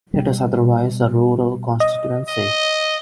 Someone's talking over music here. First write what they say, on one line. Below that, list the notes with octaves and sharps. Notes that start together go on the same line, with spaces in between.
It is otherwise a rural constituency.
B2 G3
D#5
D#5